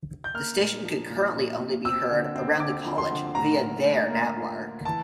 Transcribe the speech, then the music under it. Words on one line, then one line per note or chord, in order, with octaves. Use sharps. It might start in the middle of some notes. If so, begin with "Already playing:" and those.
The station could currently only be heard around the college via their network.
G6
A#3 F6
A#2
F3
A#2
A#2
A#2
C4 E6
D3
C4
D3 D6
F3
C6
D3
A2 A#5
A#3
A2
A#3
F4
F4
E3 A5